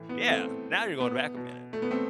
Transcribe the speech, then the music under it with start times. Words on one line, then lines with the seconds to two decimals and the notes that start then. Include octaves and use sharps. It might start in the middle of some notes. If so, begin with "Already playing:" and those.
Yeah, now you're going back a minute.
Already playing: A2 E3
0.09 B3
0.28 A3 C4
1.00 B3
1.36 B2
1.73 A3
1.82 B3
1.91 A3 C4